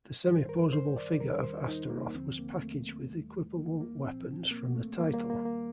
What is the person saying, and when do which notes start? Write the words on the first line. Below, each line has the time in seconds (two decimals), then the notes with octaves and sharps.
The semi-posable figure of Astaroth was packaged with equipable weapons from the title.
0.25 G2 D#3 G3 C5
0.49 A#4
0.73 C5
0.96 D5
1.20 D#2 D#3 G3 A#4
1.43 C5
1.68 D#4
1.90 A#3
2.14 D#2 D3 F3 C4
2.39 A#3
2.61 A3
3.09 D#2 D#3 G3
3.56 A#3
3.80 A#3
4.03 C2 A#2 F3 C4
4.51 A#3
4.75 A3
4.98 D#2 D#3 G3 A#3
5.14 A#3
5.30 A#3
5.45 A#3